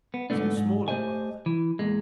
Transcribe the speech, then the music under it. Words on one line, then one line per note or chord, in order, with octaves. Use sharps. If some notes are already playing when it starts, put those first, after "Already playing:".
So small a world!
B3
G#2 D3 F3 A3 B3 D4
G#2
A3 G4 G#4 C5 D#5 G#5
E3
E2 A#2 G#3